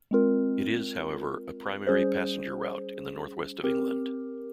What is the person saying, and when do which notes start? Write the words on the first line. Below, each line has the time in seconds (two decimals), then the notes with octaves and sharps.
It is, however, a primary passenger route in the North West of England.
0.11 G#3 C4 F4 A#4
1.87 G3 C#4 G#4 C5
3.64 C4 G4 A#4